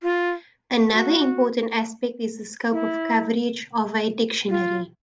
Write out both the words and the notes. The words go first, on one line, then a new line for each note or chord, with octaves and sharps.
Another important aspect is the scope of coverage of a dictionary.
F4
F#4
E4
F4